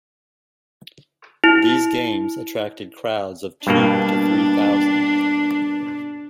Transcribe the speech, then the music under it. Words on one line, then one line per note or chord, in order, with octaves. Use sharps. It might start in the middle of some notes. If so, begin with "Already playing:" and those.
These games attracted crowds of two to three thousand.
E4
G2 B2 A#3 D4